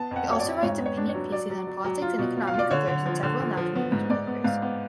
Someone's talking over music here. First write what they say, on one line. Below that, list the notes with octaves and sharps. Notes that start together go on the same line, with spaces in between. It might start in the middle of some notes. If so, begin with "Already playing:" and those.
He also writes opinion pieces on politics and economic affairs in several national newspapers.
Already playing: B3 A5
F2 F#5
F#3 C#5
D5
F2
G#2 C#5
B3
C#5
D4
C#5
F#3
F#3 D5
F#3
F#3
F#3
F4
B2
F4
F5
F4
D5
D3 C#5
D3
F3
D3
F3
F3
B3
G#2
G#2 D5
B3
G#2 F5
B3